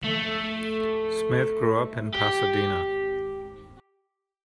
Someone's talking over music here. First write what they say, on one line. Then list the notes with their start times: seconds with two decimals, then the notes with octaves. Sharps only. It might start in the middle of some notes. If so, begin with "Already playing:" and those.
Smith grew up in Pasadena.
0.04 A3
2.15 G4